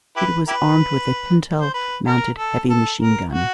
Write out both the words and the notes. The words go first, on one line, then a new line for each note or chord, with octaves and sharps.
It was armed with a pintle-mounted heavy machine gun.
E4 G4 B4
E4 G4 B4
C5
B4
A#4
A4
A4
A#4
F#4